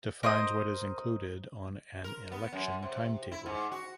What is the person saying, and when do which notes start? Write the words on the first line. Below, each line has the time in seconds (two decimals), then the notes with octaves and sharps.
Defines what is included on an Election Timetable.
0.23 A#4 C5 D#5 D#6
2.04 A#4
2.32 B3
2.53 F#2
2.82 C3
3.32 E4
3.46 G#2
3.72 F#4